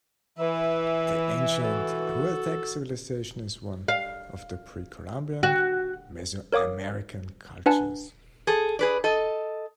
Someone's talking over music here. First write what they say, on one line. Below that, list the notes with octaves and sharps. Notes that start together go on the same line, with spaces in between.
The ancient Huastec civilization is one of the pre-Columbian Mesoamerican cultures.
E3 B4 E5
F#4 A4
F5
F#4
A#4 C#5 F5 D6 D#6
D4 B4 F#5 G#5 A5
G#4 A4
G#4 B4 D5
A4 D#5